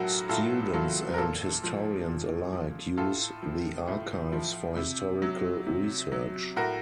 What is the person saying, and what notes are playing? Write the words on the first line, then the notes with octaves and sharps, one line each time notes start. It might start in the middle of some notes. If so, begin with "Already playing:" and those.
Students and historians alike use the Archives for historical research.
Already playing: A2 F#3 F#4 A4 A#4
A2 F4 A4
F#3 F4 A4
A#4
A#2 F4 A4
F3
A#2
F3
A2 F4 A4
F3
A2
F3
C3
F#3
C3
F#3
A2 F#4 A#4